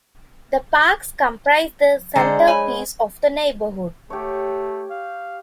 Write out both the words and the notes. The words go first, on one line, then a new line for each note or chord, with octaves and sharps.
The parks comprise the centerpiece of the neighborhood.
D3 G#3 C5 A#5
C#5 G#5 B5
A3 G4 C#5
F5